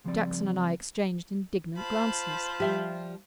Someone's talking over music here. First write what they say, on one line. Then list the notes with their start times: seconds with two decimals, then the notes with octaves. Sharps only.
Jackson and I exchanged indignant glances.
0.04 C#2 F3 G3 C4 D5
1.77 F4 C5 A5 B5
2.60 F3 G3 G4 E5 G5